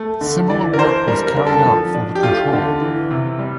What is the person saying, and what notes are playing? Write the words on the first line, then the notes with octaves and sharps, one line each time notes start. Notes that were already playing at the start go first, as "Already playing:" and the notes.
Similar work was carried out for the control.
Already playing: A3
D3
E3 D5
A#4
D4 C5
G3 A#4
A#4
D3
A4
F3
D4
G4
A3 F4
D3
E3
C3
G3